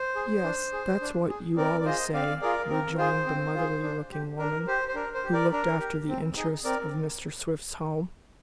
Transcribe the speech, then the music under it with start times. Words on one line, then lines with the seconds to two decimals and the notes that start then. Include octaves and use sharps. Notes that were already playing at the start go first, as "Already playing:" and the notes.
"Yes; that's what you always say," rejoined the motherly-looking woman, who looked after the interests of Mr. Swift's home.
Already playing: C5
0.16 G#4
0.44 D4
0.73 G#4
1.01 D4
1.29 G#4
1.57 C4 A#4 D5
1.81 D5
1.85 F4 G#4 C5 D#5
2.13 C4 D5 F5
2.42 F4 G#4 A#4 D5
2.69 C4 A#4
2.98 F4 G#4 C5
3.26 C4
3.54 F4 G#4
3.82 D4
4.11 G4
4.39 D4 A#4
4.67 G4 C5
4.88 C5
4.95 D4 A#4
5.14 C5
5.24 G4
5.33 A#4 D5
5.52 D4 A#4
5.80 G4
6.08 C4
6.36 D#4 G#4
6.64 C4 A#4 D5